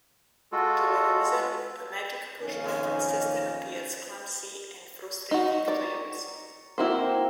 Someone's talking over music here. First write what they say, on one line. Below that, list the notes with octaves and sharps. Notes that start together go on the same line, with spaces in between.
To a user, a magic pushbutton system appears clumsy and frustrating to use.
G#3 F4 F#4 A4
B1 F2 D#3 A#3 C#4
D#4 F#4
D5 A#5 C#6
A#3 C4 E4 F#4 A#4 C5